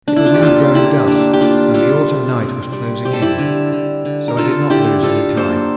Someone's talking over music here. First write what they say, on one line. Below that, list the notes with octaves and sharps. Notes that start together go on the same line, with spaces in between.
It was now growing dusk, and the autumn night was closing in, so I did not lose any time.
D4
E4
F4
G4
A#3 F4 A4
D3 E4 G4
A#3 D4
G4
A#3 D4 F4
G3 F4 A4
C3
C4
G3
C4 G4
A4
E4 G4
D3
D3
D3
A#4
D3 F4 A4
D3 E4 G4
D3 F4 A4
A#3 A4 C5